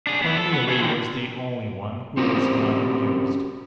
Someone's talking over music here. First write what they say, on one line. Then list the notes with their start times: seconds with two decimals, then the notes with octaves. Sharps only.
Cornelie was the only one who was not amused.
0.07 D4 G#4
0.22 B3 E4
0.38 A4
0.53 B3
0.69 G#4 A4
0.81 D3 D#3
2.17 C4 C#4 F#4 G4 A#4 C5